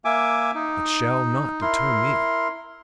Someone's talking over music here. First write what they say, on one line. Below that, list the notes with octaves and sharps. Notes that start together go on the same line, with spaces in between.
It shall not deter me.
A#3 E5 G#5 D6
D#4
E4 A#4 C6